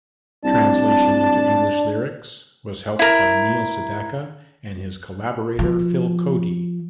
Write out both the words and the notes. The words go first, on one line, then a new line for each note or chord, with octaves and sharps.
Translation into English lyrics was helped by Neil Sedaka and his collaborator Phil Cody.
C2 D4 A5
E4 A#4
F3